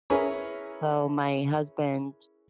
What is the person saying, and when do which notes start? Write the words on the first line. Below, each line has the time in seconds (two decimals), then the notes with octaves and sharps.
so, my husband,
0.10 C#4 E4 G#4 A#4 B4 C#5